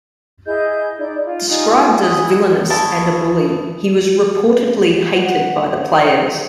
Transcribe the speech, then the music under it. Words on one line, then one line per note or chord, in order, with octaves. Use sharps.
Described as "villainous" and a "bully", he was reportedly hated by the players.
E4 G#4 D#5 G6
D#4 E4 D5
F4
D#4 F4 G4 G#4
F#4 E5 G#5 D#6
E4
E4 C#5 D#5 A5
F#5
C#5
C5